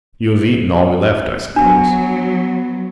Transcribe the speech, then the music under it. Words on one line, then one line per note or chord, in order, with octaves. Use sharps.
You have eaten all we left, I suppose.
F#3 B3 D4